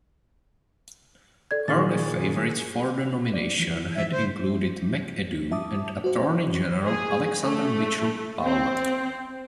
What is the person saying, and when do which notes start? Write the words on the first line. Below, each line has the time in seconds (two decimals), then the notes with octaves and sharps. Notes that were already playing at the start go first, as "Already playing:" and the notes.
Early favorites for the nomination had included McAdoo and Attorney General Alexander Mitchell Palmer.
1.51 A4 D5 G#6
1.68 A#2 D#3 G#4 C6 F6 A6
3.34 D5
3.58 E3 F3
3.95 E5
4.12 D3 C5
5.52 E5 A5 D6 D#6
6.04 F#4 C5
6.87 G#4
7.43 A3
8.44 C4